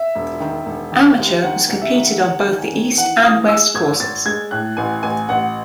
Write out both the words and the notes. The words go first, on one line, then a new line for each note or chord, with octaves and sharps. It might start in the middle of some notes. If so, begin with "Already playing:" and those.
Amateur was competed on both the East and West Courses.
Already playing: E5
E1
D#3
E1
D#3
D#2
D#3 F#5
C2
E5
D#3
C2 F#5
D#3
G#5
D#3
E3 F#5
E3 D#6
G#3 E6
G#1 G#6
G#1 A6
G#3 G#6
A2 F#6
A1 G#5
A1 G#5
A1 F#5